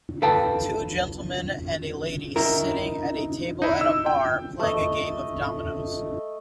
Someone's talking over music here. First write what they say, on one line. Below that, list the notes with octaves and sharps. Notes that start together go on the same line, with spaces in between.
Two gentlemen and a lady sitting at a table at a bar playing a game of dominoes.
A4 B4 F5 G5 A5
D#4 E4 A#4
D#4 E4
E6
G5
A3 D#5